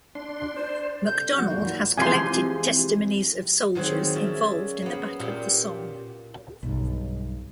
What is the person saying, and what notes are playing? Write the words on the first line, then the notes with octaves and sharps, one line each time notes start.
MacDonald has collected testimonies of soldiers involved in the battle of the Somme.
D4 C6
C5 D5
C2 A4 G6
F3 F#3 A3 F#4
F#2 A#2 E3 A#3
C3 E3 F3 G#3 G4 G#5 C6
D#3 F#3 C4 F#4 G#4
C#4 D5 E5
A#3 B3
A#2 A#3 G4
B1 G2